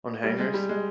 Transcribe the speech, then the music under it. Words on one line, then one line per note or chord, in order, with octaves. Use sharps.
On hangers?
G3
G#3
G3
G#3